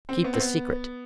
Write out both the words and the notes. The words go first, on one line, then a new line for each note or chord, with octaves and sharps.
Keep the secret.
C4
B3
C4
B3